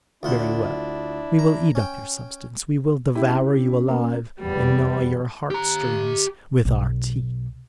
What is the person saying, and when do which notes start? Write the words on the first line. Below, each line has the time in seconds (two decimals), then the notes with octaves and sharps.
Very well; we will eat up your substance, we will devour you alive and gnaw your heart-strings with our teeth.
0.23 D2 D4 E4 F4 F#5
1.39 A#5
1.75 C#4 G5
3.15 C#4 E4 G4
3.89 A#3
4.41 F1 E2 G3 B3
5.50 G4 A#5
6.65 B1